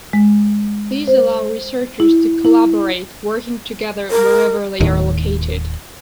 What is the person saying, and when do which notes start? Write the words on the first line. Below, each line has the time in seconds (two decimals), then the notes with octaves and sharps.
These allow researchers to collaborate, working together wherever they are located.
0.13 G#3
1.08 C5
2.00 E4
2.45 E4
4.11 A#4
4.80 D#1 D#2 A2 D#3